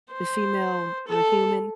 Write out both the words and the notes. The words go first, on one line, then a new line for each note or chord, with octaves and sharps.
the female, uh, human.
C5
A4